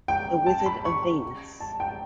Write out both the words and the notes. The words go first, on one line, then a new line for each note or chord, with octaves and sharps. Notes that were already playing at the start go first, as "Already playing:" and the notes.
"The Wizard of Venus".
G5
A5
B5
C#6
A5
G5